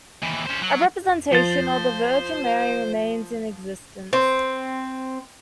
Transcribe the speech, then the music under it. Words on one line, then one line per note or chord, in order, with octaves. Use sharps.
A representation of the Virgin Mary remains in existence.
D#2 E3
C#4 C5
F#3
F3 C5 A6
C4